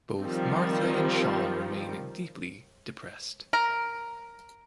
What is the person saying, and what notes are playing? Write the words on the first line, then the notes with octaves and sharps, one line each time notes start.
Both Martha and Sean remain deeply depressed.
D#3 F3 G3 C4
A#4